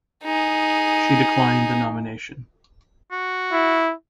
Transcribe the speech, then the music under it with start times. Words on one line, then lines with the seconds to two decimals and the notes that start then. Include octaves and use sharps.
She declined the nomination.
0.24 D#4 G#4
3.12 F#4
3.52 E4